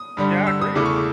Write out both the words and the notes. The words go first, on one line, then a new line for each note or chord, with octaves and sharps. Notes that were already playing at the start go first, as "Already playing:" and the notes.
Yeah, I agree.
Already playing: D#6
G2 D3 G3
E6
D#6
E2 C#3 E3 A3 D6
C#6
D6